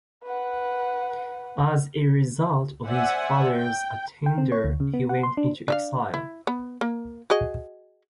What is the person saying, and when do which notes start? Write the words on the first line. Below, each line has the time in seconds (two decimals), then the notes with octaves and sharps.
As a result of his father's attainder, he went into exile.
0.24 B4 F#5
2.86 C5 D5 E5 F#5 G#5
3.53 G5
4.26 G5
4.38 C4
4.52 C#5
4.64 D2
4.80 C#3
4.94 B3
5.09 F#5
5.23 C6
5.37 D4
5.68 D4 E5 F5
6.14 E4
6.47 B3
6.81 A#3
7.30 F#4 G#4 D#5